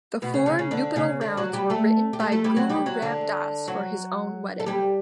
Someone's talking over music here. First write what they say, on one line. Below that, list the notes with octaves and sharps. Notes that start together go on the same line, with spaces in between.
The four nuptial rounds were written by Guru Ram Das for his own wedding.
B2 B3
C#3 C#4
C#3 C#4
C#3 C#4
D3 D4
C#3 C#4
D3 D4
F#3 F#4
G3 G4
A3 A4
G4
A3 A4
A3 A4
G3 G4
F#3 F#4
G3 G4
F#3 F#4
D3 D4
F#3 F#4
A4
G3 G4